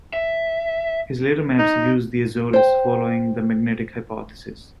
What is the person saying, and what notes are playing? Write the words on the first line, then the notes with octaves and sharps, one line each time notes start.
His later maps used the Azores, following the magnetic hypothesis.
E5
D#4
C5 G5